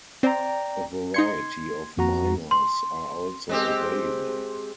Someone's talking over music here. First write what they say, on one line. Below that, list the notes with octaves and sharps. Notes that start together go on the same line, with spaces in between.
A variety of minors are also available.
C4 C5 D5 G5 A#5
D#4 C6 G#6 C#7
F2 F#4 A#5
C6
G#3 C4 G4